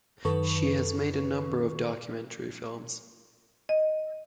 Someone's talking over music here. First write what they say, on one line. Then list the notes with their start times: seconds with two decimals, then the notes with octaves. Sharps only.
She has made a number of documentary films.
0.25 F#2 D#3 A4 B4 C#6
3.69 D#5